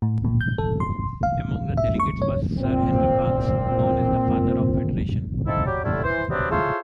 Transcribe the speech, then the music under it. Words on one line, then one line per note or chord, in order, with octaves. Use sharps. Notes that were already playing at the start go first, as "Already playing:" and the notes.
Among the delegates was Sir Henry Parkes, known as the "Father of Federation".
A2
A#2
G6
A4
C6
F5
E5
C#6
C#5
A#2 C4
A#3 C4 D#4 E4 A4
F#3 G3 G4
A2 D3 G3 A3 E4 F4
E3 C5
C3 F#3 G3 B3 C4 D4
E4 F4 G#4 A4 C5 C#5